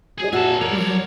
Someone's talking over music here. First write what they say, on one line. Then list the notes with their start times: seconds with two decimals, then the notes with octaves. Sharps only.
workout? Mhm.
0.19 G#4
0.33 A#2 F#4 G#4 E5 A5
0.61 A#4 C#5 D5